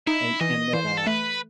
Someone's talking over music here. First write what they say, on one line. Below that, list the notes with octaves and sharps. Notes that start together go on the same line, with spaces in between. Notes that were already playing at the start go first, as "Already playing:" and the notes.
and and then, uh,
D#4 E4
E3 D#5
E3 C5
A4
A3 B4